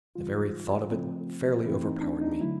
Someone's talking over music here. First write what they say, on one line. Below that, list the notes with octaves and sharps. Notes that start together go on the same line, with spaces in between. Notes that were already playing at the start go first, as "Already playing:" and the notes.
The very thought of it fairly overpowered me.
C#3 E3 G3 F4
C#3 F3 A3 C4
E3 A3 C4 E4
D#4
D4
D#4
D3 F#3 A3 E4